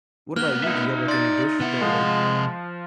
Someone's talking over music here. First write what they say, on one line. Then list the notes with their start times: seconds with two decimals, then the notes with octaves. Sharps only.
What about you? Do you have, like, any dish that, like,
0.36 A#3 B3 F6 F#6 G7
0.64 D#4 E5
1.08 D5 C6 A6
1.60 C3 B3 E4 F#5
1.81 F3 G#3